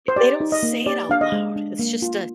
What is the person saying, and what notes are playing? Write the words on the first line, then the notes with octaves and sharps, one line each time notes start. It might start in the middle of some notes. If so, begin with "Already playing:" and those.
Yeah, they don't say it out loud, it's just a
C5
G4 D5
D#4
D#5
A#3
G4 D5
D4 F5
D#5
G#3
D4
A#3
F4